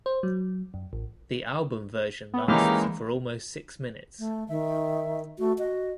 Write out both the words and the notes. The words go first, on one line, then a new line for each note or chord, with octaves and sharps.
The album version lasts for almost six minutes.
C5
F#3
F#2
A1
B3
E3 G#3 A#3 C#4 D#4 G4 F5
A3
D#3 E5
A3 F#4
F#4 D#5